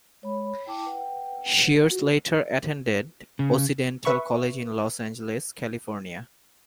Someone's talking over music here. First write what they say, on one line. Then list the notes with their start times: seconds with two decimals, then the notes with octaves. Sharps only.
Shears later attended Occidental College in Los Angeles, California.
0.23 G#3 C#5 B5
0.67 E4 G5 A5 D6
0.86 B4 F#5
1.90 F4 F#4
3.39 C#3
4.05 B4 E5 B5 C#6